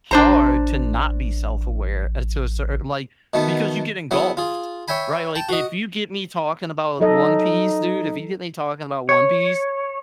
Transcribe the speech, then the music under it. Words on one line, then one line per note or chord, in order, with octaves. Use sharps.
hard to not be self-aware, uh, to a certai like, because you get engulfed. Right? Like, if you get me talking about One Piece, dude, if you get me talking about One Piece,
A1 D4 C5 A#5
B2 D#3 A3 B3
F#3 B3 E4 G#4
F4 G#4
C#5 E5 G5 G#5 B5
G5 A5
F#4 D#5
F#3 D#4 A4 D#5
C#5